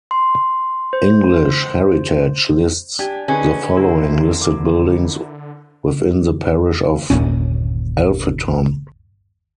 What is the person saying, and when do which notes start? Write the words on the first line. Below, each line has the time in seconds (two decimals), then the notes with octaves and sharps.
English Heritage lists the following listed buildings within the parish of Alpheton.
0.11 C6
0.93 C5
2.99 D4 G4 G#5
3.28 D3 C#4 D#4 G#4 B4
3.77 E4 A#4 C5
4.41 D6
7.10 G1 D#2 A#2 C#4